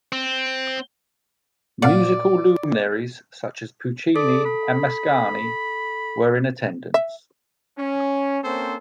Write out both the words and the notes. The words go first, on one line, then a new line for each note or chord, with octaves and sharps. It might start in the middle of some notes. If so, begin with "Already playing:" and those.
Musical luminaries such as Puccini and Mascagni were in attendance.
C4
A#2 D5 F5 F#5
A4 D5
B5
E5
C#4
A#3 C4 C#4 A4 C5